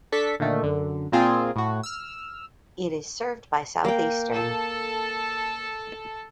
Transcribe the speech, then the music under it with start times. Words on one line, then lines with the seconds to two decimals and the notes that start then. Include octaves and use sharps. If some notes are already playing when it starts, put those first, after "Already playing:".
It is served by Southeastern.
0.12 D4 A4 C#6 B6
0.40 A#2 D3 D#3 A3
0.63 F#2 D3
1.12 A#2 A#3 C4 F4 G#4
1.56 A2 F#4
1.83 E6 F6
3.85 A#3 G5
4.32 A4